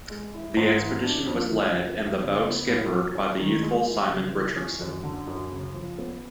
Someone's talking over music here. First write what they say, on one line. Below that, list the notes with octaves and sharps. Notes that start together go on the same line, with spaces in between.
The expedition was led, and the boat skippered, by the youthful Simon Richardson.
G#3
E4
G#2
E3
D4
F2
D3
F2
F#2
C#3
B3
A2
F#3
C#4
D#3
G#3
E4
C#3
E3
C#4
F#2
D3
F#2
C#3
F3
B3